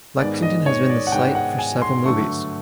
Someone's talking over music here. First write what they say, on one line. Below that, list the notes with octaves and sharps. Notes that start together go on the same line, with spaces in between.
Lexington has been the site for several movies.
G#2 D#3 G#3 B3 D5
D#5
C#5
D5
F#5
G#2 D#3 G#3 B3 G5
F#5
G#5
C6
G2 D3 F#3 A3 C#6